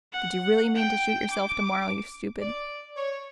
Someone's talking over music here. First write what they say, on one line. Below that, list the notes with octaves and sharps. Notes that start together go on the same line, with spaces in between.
Did you really mean to shoot yourself to-morrow, you stupid?
F#5
G5
D6
D5
C#5